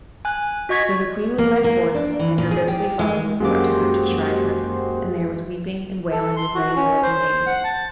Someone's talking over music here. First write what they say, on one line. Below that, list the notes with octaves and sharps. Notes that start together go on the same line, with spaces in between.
So the queen was led forth, and her ghostly father was brought to her to shrive her, and there was weeping and wailing of many lords and ladies.
G#5 F#6
F#4 D#5 C#6 G#6 B6
A#3
A#3
D4
E3
A#2
G#4
G4
G#3
F#2 G#3 A#3 F#4 G4 C5 D6
A4
C6
F#4
C#4
C5
F#5
A5